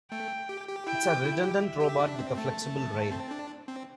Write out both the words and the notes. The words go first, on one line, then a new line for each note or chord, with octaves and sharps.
It is a redundant robot with a flexible rail.
A3 G5
G4
G4
E4 G5
G4
E4
G4
E5
G4
D4
C4
A3 A5
C4
D4
C4